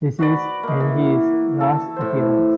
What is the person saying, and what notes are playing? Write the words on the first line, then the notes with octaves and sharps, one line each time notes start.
This is Angie's last appearance.
F#4 B4 D5
A#3 D#4
E3
A4
A2 C5